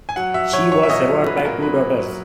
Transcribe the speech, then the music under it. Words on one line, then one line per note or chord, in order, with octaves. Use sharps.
She was survived by two daughters.
G#5
F#3 F#5
F#3 E5
F#3 C#5
F#3 C#5
E5
A#2 D#5
F#3
F#3 B4
A#2 A#4
F#3 B4
A#2
F#3